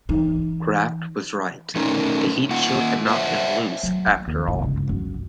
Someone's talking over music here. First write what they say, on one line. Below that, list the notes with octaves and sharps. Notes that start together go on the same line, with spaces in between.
Kraft was right; the heat shield had not been loose after all.
E3 D#4
A3 C#4 D#4 A#4
A#3 F4 F#5
C5 C#5 E5 F#5
F#3
A#3
D#2
G1 C#2 E4
C#3 G#3
F#2